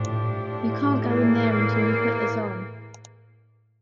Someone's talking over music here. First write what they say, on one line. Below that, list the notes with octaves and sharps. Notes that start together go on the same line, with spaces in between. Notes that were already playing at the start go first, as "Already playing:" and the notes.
You can’t go in there until you put this on.
Already playing: A2 F3 A3 D4 G4
A2
E2 E3 A#3